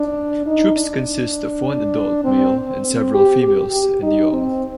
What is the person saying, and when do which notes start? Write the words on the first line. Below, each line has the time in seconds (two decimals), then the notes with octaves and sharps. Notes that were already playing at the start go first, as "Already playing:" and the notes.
Troops consist of one adult male and several females and young.
Already playing: D4
0.46 D#4
0.76 D4
2.24 C4
2.84 C4
3.14 G4
3.43 G4
3.73 G4
4.03 D#4
4.32 C4